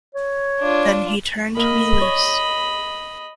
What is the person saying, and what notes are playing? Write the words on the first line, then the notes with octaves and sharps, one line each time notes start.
Then he turned me loose.
C#5
D4 F4
A#3 D#5 B5
C#5